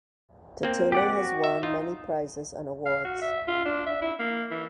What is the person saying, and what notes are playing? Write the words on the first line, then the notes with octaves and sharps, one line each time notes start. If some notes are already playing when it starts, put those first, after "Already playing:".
Tateno has won many prizes and awards.
A#3 C4
G4 D5 F#5
F#4
E5
D#4 F4
F5
F#4
E5
F4
D4
E5
E4
A#3
E3